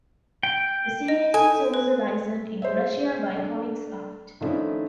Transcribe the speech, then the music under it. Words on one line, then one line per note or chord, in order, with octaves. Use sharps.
The series is also licensed in Russia by Comix-art.
G5
D#5
A4 G#5
B4
G#4 C5 C#5 E5
A3 D4
D#3 F3 A3 C#4 D4 E4